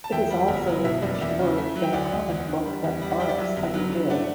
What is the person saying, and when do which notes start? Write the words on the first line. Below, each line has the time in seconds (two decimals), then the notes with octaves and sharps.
It is also the first work in a comic book that Barks ever did.
0.04 A5
0.12 E2 E5 G5
0.30 G3
0.48 G1
0.66 F#3
0.84 B2 E5
1.02 F#1
1.14 D5
1.21 E2 E5
1.39 C#3
1.57 A3
1.76 F#3
1.83 G5
1.93 D2 D5 F#5
2.12 D2
2.29 E2
2.48 D3
2.65 G3
2.84 E2
3.02 G3
3.11 D5 F#5
3.20 G3 E5 G5
3.28 D5 F#5
3.38 F#3 E5
3.57 G1
3.74 F#3
3.92 G2
4.10 A3 D5 F#5